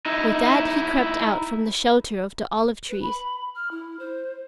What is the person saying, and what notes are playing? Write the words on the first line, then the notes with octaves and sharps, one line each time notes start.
With that he crept out from the shelter of the olive-trees.
D#4 E4
B4
B5
F6
E4
C5